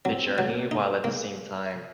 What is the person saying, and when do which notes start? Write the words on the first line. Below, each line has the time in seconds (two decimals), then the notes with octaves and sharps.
the journey while at the same time,
0.05 F#3 C4
0.27 C4
0.38 F#3
0.49 A#3
0.71 A3 D#4
1.04 G#3 A#3